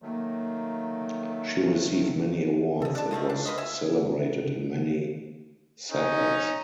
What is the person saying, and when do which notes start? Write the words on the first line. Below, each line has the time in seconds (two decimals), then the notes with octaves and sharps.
She received many awards and was celebrated in many sabhas.
0.02 D#3 F#3 A3 A#3
2.82 A4 D#5
2.95 D4 A5
3.11 F3 A3 F4 D#5
3.30 D4
3.45 F4 B4 C5 D#5
3.58 E5 G#5
5.92 C#4 D#4